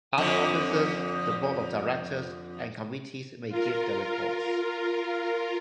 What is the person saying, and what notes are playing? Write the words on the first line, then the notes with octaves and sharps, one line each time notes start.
Other officers, the board of directors, and committees may give their reports.
F2 D3
F4 A#4